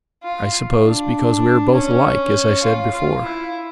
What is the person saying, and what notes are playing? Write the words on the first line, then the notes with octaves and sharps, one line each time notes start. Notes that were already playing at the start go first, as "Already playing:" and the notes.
"I suppose because we are both alike, as I said before."
F4
D4
C#4
F4
F4
E4